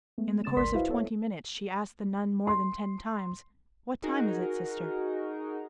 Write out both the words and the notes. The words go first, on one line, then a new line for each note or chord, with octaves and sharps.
In the course of twenty minutes, she asked the nun more than ten times, "What time is it, sister?"
G#3 A3 B3
C#3 G#3 C#4 A6 E7
G#1 D2 A#4 D5 C6 B6
E4 F#4 B4 C5 D#5 F5
B3 A4 C#5 E5
C6
D#4 F#4 G#4 A#4